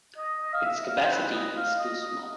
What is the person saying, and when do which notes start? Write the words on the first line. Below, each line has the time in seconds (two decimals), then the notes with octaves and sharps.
Its capacity is too small.
0.18 D#5
0.42 D#5
0.53 F5
0.64 E5
0.88 F5
1.03 C5
1.11 B4
1.33 D#5
1.56 F5
1.79 D#5
2.02 D#5